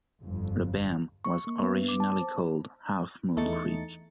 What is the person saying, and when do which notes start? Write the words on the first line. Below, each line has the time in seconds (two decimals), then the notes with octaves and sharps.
Lebam was originally called Half Moon Creek.
0.23 G1 F2
1.25 C#6
1.47 A#3
1.62 B3
1.89 D6
2.00 A5
2.21 C5
3.37 E2 A3 D#4 A6 C#7